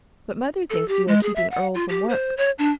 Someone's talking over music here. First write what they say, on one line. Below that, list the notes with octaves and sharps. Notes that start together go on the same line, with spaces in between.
"But mother thinks you are keeping Earle from work."
A4
G4
G#3
G#4
E5
F#5
F4
G4
C5
C#5
D4